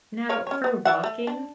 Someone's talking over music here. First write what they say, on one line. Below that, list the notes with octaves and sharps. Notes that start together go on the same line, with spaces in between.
No, for walking,
A#4 C#5 F5
C#4 C#5
B3
D5 E5 F#5
A3
D4